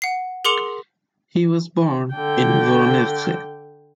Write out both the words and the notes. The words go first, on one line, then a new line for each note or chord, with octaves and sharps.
He was born in Voronezh.
F#5 C7
G#4 A#4 C6 D6 C#7 F7
D3 G5